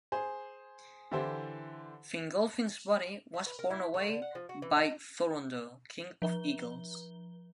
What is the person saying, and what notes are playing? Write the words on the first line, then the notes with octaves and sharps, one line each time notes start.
Fingolfin's body was borne away by Thorondor, King of Eagles.
G#4 C5
D3 E3 E4 G4 A4 C5
E5
B4
A#4
E4
A3
D3
F#5
F3
F#4
E3
D#4
F3 G7